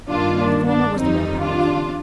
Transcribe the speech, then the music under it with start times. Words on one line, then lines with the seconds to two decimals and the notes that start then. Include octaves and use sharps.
The former was the more powerful.
0.09 G2 D#3 A#3 D4 F4
0.39 D4
0.68 D4
0.97 F2 D#3 G3 C4 D#4
1.42 D4 F4